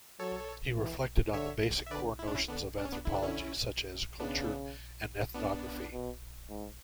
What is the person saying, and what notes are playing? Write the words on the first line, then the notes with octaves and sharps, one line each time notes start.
He reflected on the basic core notions of anthropology, such as culture and ethnography.
F#3 A4 C#5
E3
D3 C#5 E5
E5
D3 B4 D5
E4
D4
C#4 E4
D3 B3 D4
D4
C#4
B3 D4
D3 E4
D4
C#4 E4
C#3 B3 D4
B3 D4
B2
G#2